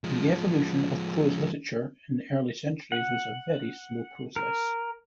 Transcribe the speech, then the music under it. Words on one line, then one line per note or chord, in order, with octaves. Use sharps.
The evolution of prose literature in the early centuries was a very slow process.
F3 G#3
F#5
A#4